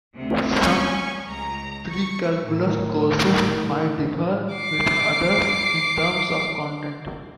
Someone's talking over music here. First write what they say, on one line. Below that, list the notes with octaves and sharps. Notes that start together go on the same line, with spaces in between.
Some precalculus courses might differ with others in terms of content.
D2 C3
G3 C#4 G#5 C#6
C#2 A#5
C#6
A2 D#3
D6 C7